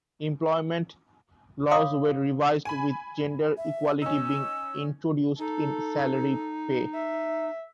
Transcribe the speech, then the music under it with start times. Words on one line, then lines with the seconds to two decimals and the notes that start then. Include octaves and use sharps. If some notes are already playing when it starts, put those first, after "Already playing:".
Employment laws were revised with gender equality being introduced in salary pay.
1.71 C#5 F5 B5 C6 D6 D#6
2.65 G#5 B5
3.57 E5
4.02 C#4 D#4 E6
5.39 D#4 A4
6.94 E5